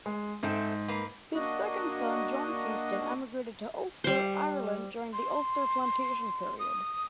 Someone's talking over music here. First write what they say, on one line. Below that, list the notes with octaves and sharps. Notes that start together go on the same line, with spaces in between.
His second son John Houston emigrated to Ulster, Ireland during the Ulster plantation period.
G#3
G#2 A3 C4 A4
A#3 B4
A#3 D4 F#4 D#5
G3 C5
C6
D#6